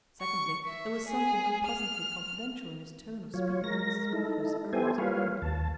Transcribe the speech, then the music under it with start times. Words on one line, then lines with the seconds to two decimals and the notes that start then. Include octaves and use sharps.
Secondly, there was something unpleasantly confidential in his tone of speaking of Mrs. Morpher's earliest born.
0.20 C#6
0.65 E5
1.07 G#4
1.66 F6
3.34 F#3 F4 C#5
3.64 G#3 A#4 A#6
4.13 D#4 E4 A4
4.73 B3 E4 G4 A4 C5 G#5
4.98 G3 A#3 F4 B4 C#5 F5
5.42 D#2 A5